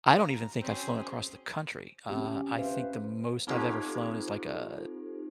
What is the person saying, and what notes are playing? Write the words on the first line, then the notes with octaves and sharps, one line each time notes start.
I don't even think I've flown across the country, uh, I think the most I've ever flown is, like, uh,
D#2 F5 A#5
F#3 C4 C#4 G#4 C5
C4 C#4 G4
B4 C5 E5 F5
C4 D#4 F4 G4 A4 C5